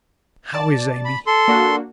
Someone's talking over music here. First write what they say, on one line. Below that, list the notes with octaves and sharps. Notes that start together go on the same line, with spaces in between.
"How is Amy?"
D5 A5 A6
B5
A4 C6
A#3 D4 F#4